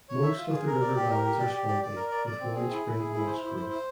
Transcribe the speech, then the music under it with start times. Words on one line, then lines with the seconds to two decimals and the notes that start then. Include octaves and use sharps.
Most of the river valleys are swampy with widespread moss growth.
0.09 C#5
0.23 E5
0.37 F4
0.52 G#4
0.66 A#4
0.81 D5
0.96 G4
1.11 A#4
1.24 G4
1.39 D5
1.54 G4
1.68 D5
1.83 D5
1.96 A#4
2.11 D5
2.26 D5
2.40 C4
2.55 G#4
2.70 E4
2.84 E4
2.99 G#4
3.13 E4
3.27 C5
3.42 E4
3.56 C5
3.70 C5